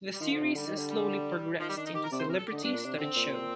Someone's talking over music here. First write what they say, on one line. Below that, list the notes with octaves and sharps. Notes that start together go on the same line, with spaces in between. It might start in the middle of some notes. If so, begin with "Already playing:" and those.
The series has slowly progressed into a celebrity-studded show.
G3
D#3 F3
D3
C3
D3 G3
D#3
D3
G3
D#3 F3
G3
D#3 D4
D#4
D#3 G4
A#4
C3 D5
C5
C3 A#4
A4
G4
D3 D#4
G2 D4
A#2
C3
D3 C4
A#2